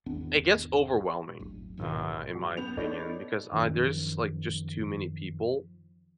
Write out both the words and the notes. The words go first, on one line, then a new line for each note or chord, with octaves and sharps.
it gets overwhelming, uh, in my opinion, because, uh, there's like just too many people
G#1 E2 B3 D4
D1 G1
A#1 G#2 B2 D#3
F#2
B3 G6 F7
B3 D#4 A4 C#5 D5
F#2 D#3 F3